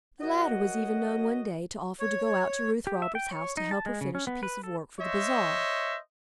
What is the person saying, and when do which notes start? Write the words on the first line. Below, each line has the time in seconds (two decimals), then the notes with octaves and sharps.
The latter was even known one day to offer to go out to Ruth Roberts' house to help her finish a piece of work for the Bazaar.
0.21 F#2 F#4 D#5 F#5
2.00 C#5
2.87 G4
3.02 E5
3.15 G5
3.31 C#5
3.57 D#4
3.71 A5
3.86 G#3
4.01 C#3
4.15 C#4
4.27 B3
4.43 B4
4.64 A4
5.00 C5 C#5 D#5 E5